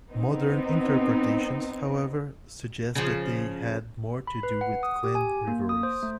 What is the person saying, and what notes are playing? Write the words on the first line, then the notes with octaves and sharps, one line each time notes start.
Modern interpretations, however, suggest that they had more to do with clan rivalries.
B3 C4 D#4
C#3 F3
B5
B4
F#5
D#6
G4
G#5
A#3
D#6
C5
A3